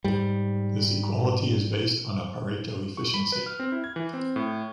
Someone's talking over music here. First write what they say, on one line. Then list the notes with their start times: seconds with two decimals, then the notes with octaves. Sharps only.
This equality is based on a Pareto efficiency.
0.04 G#2 G3
2.97 C#6
3.14 B5
3.32 B4
3.46 F6
3.60 C4
3.72 E4
3.84 G#6
3.96 E3
4.14 C4
4.36 A2